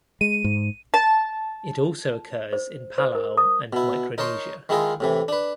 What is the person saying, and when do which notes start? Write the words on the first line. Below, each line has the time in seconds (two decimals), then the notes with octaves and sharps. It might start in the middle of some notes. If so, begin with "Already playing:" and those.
It also occurs in Palau and Micronesia.
0.21 G#3 D#7
0.44 G#2
0.94 A5
2.53 C5
2.98 C5
3.15 A#4
3.37 D#6
3.73 B2 E4
4.18 D#4 A#4 C#5 A5 C6
4.69 D#3 G#3 E4 F4 G#4 A#4
5.00 A2 C3 E3
5.28 D4 B4